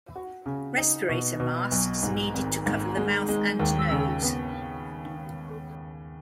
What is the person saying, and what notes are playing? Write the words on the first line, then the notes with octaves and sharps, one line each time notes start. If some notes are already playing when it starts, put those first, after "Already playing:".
Respirator masks needed to cover the mouth and nose.
F#4
C#3
D#4
B2
B2
B1
G#2
G#1
G#2
G#3
G#3
D#2
C#3
B3